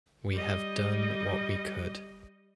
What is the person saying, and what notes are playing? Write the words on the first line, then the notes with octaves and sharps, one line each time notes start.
We have done what we could.
G3 D#5